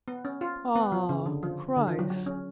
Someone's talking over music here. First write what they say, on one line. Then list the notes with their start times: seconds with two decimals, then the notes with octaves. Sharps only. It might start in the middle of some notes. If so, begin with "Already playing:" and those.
Ah, Christ!
0.08 B3
0.25 C#4
0.41 F4
0.76 B3
0.92 F3
1.09 C#3
1.26 D3
1.43 F3
1.76 D3
1.87 F3
1.99 F#3
2.10 F#3
2.26 C#4